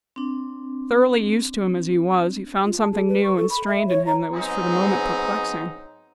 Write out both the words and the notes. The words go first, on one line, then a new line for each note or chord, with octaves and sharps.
Thoroughly used to him as he was, he found something new and strained in him that was for the moment perplexing.
C4 D4
F4
A5
G#4
B4
C#6
A4
B5
E5
C#5
A#5
G#2 F#3 B3 C4 D#4 G#4